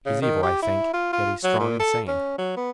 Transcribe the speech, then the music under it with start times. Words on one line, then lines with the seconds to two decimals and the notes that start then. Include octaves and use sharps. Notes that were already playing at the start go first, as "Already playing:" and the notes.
"He's evil, I think, yet he's strong and sane."
0.06 C#3
0.22 D#3
0.43 G4
0.62 E4
0.94 F4
1.13 F4
1.44 F#3
1.60 A#2
1.80 A4
2.08 C#4
2.38 F#3
2.57 B3